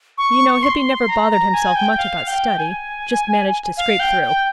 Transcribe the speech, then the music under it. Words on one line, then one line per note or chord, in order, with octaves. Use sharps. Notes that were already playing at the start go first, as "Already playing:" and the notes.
You know Hippy never bothered himself much about study, just managed to scrape through.
C#6
C#6
C6
A#5
A#5
G#5
G5
F5
G5
G#5
F5
G5
G5